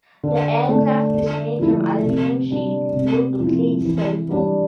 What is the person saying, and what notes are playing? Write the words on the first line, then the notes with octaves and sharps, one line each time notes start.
The aircraft is made from aluminum sheet glued to Klegecell foam.
D3
A3 D4
D3
F3 A3 E4
C3
G3 D4
C3
F3 C4 E4
E3
G3 D4